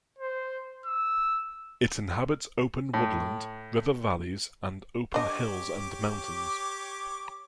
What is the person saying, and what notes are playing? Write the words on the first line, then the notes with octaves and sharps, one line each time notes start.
It inhabits open woodland, river valleys, and open hills and mountains.
C5
E6
A2
D4 G4 C#5 D#5 D6